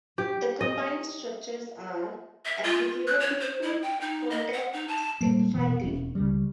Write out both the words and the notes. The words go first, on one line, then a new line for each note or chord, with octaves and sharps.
The combined structures are applicable to full contact stick fighting.
G4
D#5
E5
F4
F#6
C#5
C5
E4
G5
D#4
D#5
F#5
D#4
A5
A#2 G3 A3 A#3
F1 B2 E3 B3
E1 C#4
C#2 C#3 G3